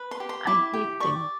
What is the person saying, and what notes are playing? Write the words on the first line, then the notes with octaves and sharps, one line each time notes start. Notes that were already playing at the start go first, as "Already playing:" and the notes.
I hate them.
Already playing: B4
C6
G4
C6
E4 D6
G4
D5 C#6